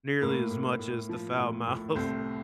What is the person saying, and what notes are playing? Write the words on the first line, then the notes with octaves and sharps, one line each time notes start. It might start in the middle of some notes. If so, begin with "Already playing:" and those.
nearly as much as the foul-mouthed
A2 A#3
A2
A2
F3
A2
A2
C2 A3 C4